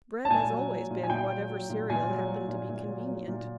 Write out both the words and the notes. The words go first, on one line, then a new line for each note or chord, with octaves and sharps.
Bread has always been whatever cereal happened to be convenient.
A5
A#2 G#5
F#3
F#3
A#2
G#5
A#2 G5
F#3
F#3
A#2
A#2 G#5
F#3
F#3
A#2
A#2
F#3
F#3
A#2